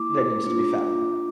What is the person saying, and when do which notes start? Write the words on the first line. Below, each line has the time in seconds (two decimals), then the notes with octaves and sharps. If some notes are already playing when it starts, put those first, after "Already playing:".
that needs to be found.
Already playing: A#3 E4 D6
0.46 A#3 D4 F4